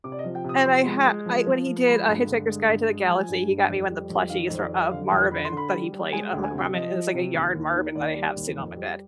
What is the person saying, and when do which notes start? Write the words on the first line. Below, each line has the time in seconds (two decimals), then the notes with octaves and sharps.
And I ha I when he did, uh, Hitchhiker's Guide to the Galaxy, he got me one of the plushies fro of Marvin that he played. I don't know if I m it's, like, a yarn Marvin that I have sitting on my bed.
0.04 C3 D6
0.12 D5
0.19 D#5
0.24 F3
0.35 G5
0.44 C3 D#6
0.65 F3 C6
0.85 G#3
1.05 G#3
1.26 F3
1.46 F3
1.66 F3
1.87 G#3 B5
2.07 G2
2.27 D3
2.48 G#3
2.68 G2
2.88 G#3
3.08 F3 G#5
3.28 G2
3.49 G2
3.69 F2
3.89 G3
4.10 F2
4.30 D#3 F5
4.45 D#5
4.50 F2 C5
4.61 D5
4.71 G3 D#5
4.91 D3 F5
5.11 F2 G5
5.31 D3 B5
5.45 C6
5.52 D3
5.57 B5
5.72 G3
5.92 G3
6.13 G#3 G#5
6.28 G5
6.32 D2
6.44 G#5
6.53 C3 G5
6.74 F3 D#5
6.94 F3
7.14 C3
7.34 D#2
7.54 D#2
7.75 D#3
7.95 D#2 D5
8.16 G3
8.36 D#2
8.57 F2
8.76 G3